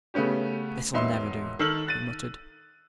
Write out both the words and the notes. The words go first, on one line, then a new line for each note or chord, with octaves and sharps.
"This'll never do," he muttered.
C#3 A3 B3 C#4 G4
E1 B3 D#4 E5 C6
D#3 A4 E6 F6 F#7
F#6 A6 D#7